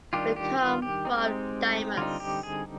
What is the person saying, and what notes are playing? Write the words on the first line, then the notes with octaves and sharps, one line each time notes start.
We come from Daimús.
D#3 G3 D4 F4 G4
G4
F4
G4
G#3 C4 D#4
D3 G3 C4 D#4 F4
G4
G#4